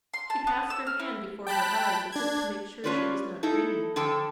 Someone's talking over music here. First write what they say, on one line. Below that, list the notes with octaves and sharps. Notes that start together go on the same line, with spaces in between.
She passed her hand before her eyes, as if to make sure she was not dreaming.
C6
A5
B3
E6
F6
E4
G5 A5 B5 F#6
D4 G#6
C#4 D4 F4 B4 C#5 D5
D#4 E4 A4
D3 F3 A4 G5 A5